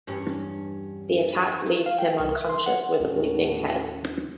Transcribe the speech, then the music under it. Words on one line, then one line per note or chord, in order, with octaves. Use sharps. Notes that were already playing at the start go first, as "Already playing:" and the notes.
The attack leaves him unconscious with a bleeding head.
E2 G2 C#4
F5
G5
C2
E5
C6
F#5
D#2 A2 G#3 C#4 F#4